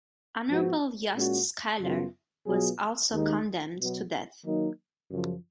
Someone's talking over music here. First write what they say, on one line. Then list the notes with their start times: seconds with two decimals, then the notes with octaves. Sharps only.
Honorable Yost Schuyler was also condemned to death.
0.50 G#2 F3 B3 F#4
1.15 A#2 G#3 C#4 F#4
1.81 F#2 C#3 F#3 B3 F4
2.47 B2 F#3 B3 F4 G#4
3.13 D#2 D#3 G#3 D#4
3.79 B2 F#3 B3
4.45 D#3 F#3 A#3 D#4
5.10 F#2 C#3 F3